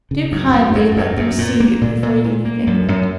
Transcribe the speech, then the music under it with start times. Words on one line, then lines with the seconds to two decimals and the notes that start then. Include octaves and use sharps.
"Do kindly let them see you before you leave England."
0.11 C#3
0.32 F#2
0.53 F#2
0.75 F#2
0.97 F#2
1.17 F#2
1.38 A#2
1.60 A#3
1.81 A#2
2.03 A#2
2.24 A#2
2.45 A#3
2.67 F#2
2.88 F#2